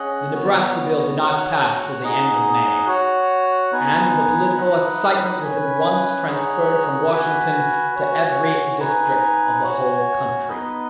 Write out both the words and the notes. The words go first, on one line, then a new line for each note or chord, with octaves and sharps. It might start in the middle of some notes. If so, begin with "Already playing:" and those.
The Nebraska bill did not pass till the end of May, and the political excitement was at once transferred from Washington to every district of the whole country.
Already playing: C#4 G#4 D#5 F#5
B3 F#4 C#5
F#4 C#5 F#5
D#4 G#4 D#5 F#5
F#4 C#5 F#5
B3 D#4 B4 G#5
D#4 B4 D#5 F#5
C#4 B4 G#5
D#4 G#4 C#5 F#5
F#4 B4 G#5
F#4 C#5 G#5
D#4 B4 G#5
F#4 C#5 G#5
B3 D#4 B4 D#5